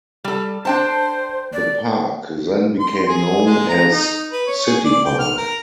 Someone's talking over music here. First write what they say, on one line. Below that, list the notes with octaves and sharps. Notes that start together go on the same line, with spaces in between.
The park then became known as City Park.
G3 A4
D4 C5 G5 A5
D5
C6
G#4
G#3
A#5
D#4
B4
C#5
G#4
D5
G5
F6
A#4